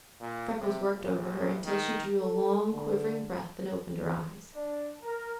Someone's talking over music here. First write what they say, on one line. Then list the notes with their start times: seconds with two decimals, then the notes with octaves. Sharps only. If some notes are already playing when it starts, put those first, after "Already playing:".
Freckles worked over her until she drew a long, quivering breath and opened her eyes.
0.21 A#2
0.59 C3
0.91 A#1
1.64 D#3
2.20 A4
2.71 D3
4.54 D4
5.02 A#4